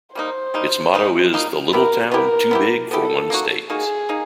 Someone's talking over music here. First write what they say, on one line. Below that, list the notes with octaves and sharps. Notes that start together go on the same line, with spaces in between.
Its motto is The Little Town Too Big for One State.
G3 A#3 D#4 C5
G3 A#3 D#4
G3 A#3 D#4
G3 A#3 D#4
B3 E4 G4 A#4
B3 E4 G4 A#4
B3 E4 G4
B3 E4 G4 A4
A#3 D#4 F#4
A#3 D#4 F#4 G#4
A#3 D#4